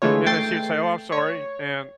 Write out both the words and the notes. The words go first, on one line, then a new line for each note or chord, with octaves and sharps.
and then she would say, "Oh, I'm sorry," and
D3 E3 G#3 A3 F4 C#5
A3 G5 A6 C7
C#5